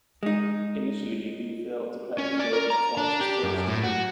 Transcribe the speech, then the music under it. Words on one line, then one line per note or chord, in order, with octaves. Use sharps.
Initially, Lee failed to crack his way into Forest's first team.
G#3 D#4
C#4
D5
A#4
A#5
D4
G4
F#2
A2
F#4